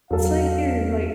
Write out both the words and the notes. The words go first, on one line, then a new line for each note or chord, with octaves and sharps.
It's like you're like
E2 F#3 A4 F5